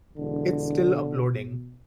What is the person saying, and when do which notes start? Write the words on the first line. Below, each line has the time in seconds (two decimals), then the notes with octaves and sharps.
It’s still uploading.
0.17 E1 D3
0.87 B2